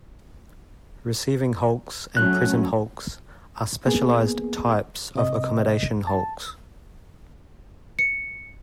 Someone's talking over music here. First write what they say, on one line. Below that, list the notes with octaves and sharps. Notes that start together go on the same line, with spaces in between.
Receiving hulks and prison hulks are specialized types of accommodation hulks.
F#3 A3 C#4 F#6
A#3 B3 G#4
C3 D#5
A5
C#7